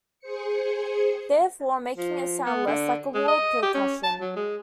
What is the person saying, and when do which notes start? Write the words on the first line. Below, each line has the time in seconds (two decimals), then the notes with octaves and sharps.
Therefore, making it sound less like a wall percussion.
0.19 G#4 C5 C#7
1.97 F3
2.46 B3
2.67 D3
3.14 G#3
3.28 D#5
3.62 G4
3.74 C#4
4.03 A5
4.21 F#3
4.36 G#3